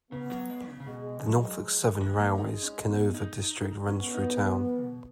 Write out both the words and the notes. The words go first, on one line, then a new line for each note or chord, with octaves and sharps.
The Norfolk Southern Railway's Kenova District runs through town.
C#3 B3
F#3
G#3
C#3
C#3
B2 G#3
F#3
F3
D#3
G#3
G#3
A#3
G#3 D#4
C#4
B3
D#4
B3 C#4
D#4
G#3
F3
B2